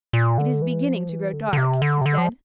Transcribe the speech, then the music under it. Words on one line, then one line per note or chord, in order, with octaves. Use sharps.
"It is beginning to grow dark," he said.
A#2
D3
E3
F3
E3
D3
D3
C3
D3
C3
D3
F3